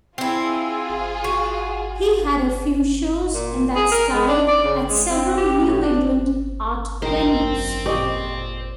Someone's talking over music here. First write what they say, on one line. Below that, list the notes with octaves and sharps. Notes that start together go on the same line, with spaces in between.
He had a few shows in that style at several New England art venues.
C4 E4 F4 G#4
F#4
A#2
G#4
A#4
G#3
D4
D5
C#3
G#3
C4
G4
A2
D4
B1 F#2 D#4 A#4 C5 G5
A#1 F2 G4 D5 D#5 C#6